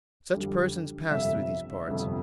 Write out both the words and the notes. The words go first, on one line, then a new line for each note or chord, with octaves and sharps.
Such persons pass through these parts.
F2 D3 G3
G1 F2 C3 E5
G1 F2 C3